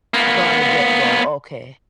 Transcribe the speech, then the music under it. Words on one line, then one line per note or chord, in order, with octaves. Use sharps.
From the get-go, okay.
A#3 B3